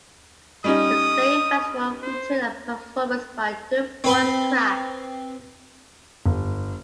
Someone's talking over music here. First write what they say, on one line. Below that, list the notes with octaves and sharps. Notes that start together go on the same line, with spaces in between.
The same festival featured a performance by duo Voice Crack.
G3 C#4 D#4 D#6
C5
C4 B4 C6
G1